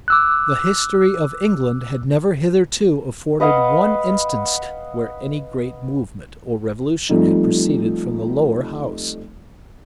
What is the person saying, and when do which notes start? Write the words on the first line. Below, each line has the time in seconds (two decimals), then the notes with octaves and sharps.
The history of England had never hitherto afforded one instance where any great movement or revolution had proceeded from the lower house.
0.08 D6 E6 F#6
3.40 B4 D#5 F5 F#5
7.09 F3 G3 A3 C4 D#4